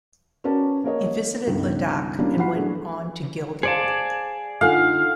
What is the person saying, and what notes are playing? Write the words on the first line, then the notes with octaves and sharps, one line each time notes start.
He visited Ladakh and went on to Gilgit.
C#4 F#4 A#4 B4 D5 A5
A#3 A#4 C#5 D#5
C#2 G2 B2 D#3
E3 G3 A#3 C#4 D4
E3 F#3 F4 F#5 B5 C7
E3 F#3 A3 D4 G#4
G#4 C5 D5 F5 A5 C#7
D3 D#4 F4 A4 F5 F#5 G#5